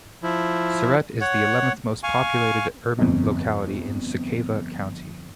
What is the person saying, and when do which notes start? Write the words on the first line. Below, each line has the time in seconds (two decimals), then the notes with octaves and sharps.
Siret is the eleventh most populated urban locality in Suceava County.
0.23 F3 E4
1.21 C#5 F#5
2.03 F5 G#5 C#6
2.99 G1 F2